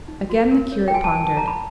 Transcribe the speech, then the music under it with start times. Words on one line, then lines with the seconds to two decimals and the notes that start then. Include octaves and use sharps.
Again the curate pondered.
0.08 D#4
0.30 F#4
0.51 A#4
0.72 C#5
0.88 G5
0.94 F#4 G#5
1.04 A5
1.15 A#4 G#5
1.27 A5
1.37 C#5 A#5
1.48 B5